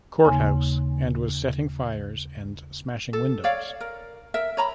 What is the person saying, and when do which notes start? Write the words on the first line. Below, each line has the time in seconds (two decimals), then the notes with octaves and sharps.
Courthouse and was setting fires and smashing windows.
0.25 D#2 C#3 A#3 G#5 C6
3.13 A4
3.44 C#5 D5 F5
3.80 A#4
4.34 A#4 E5
4.57 C#5 A#5 B5